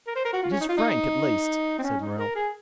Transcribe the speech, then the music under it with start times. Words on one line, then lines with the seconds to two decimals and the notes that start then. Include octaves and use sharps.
"It is frank, at least," said Morrel.
0.07 A#4
0.16 C5
0.25 A#4
0.33 F#4
0.43 F4
0.51 C#4
0.60 D#4
0.69 F4
0.78 D#4
1.79 C4
1.83 C#4
2.01 D#4
2.19 A#4
2.35 G#4